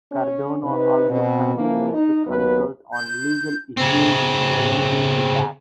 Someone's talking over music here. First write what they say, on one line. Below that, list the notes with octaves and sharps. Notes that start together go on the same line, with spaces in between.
Cardona also continues to consult on legal issues relating to tax.
C#4
C3 D#4 B4
B2 C4
E3 F3 A#3
D#4
D#2 F#3 B3 B4
G6
C#3 C4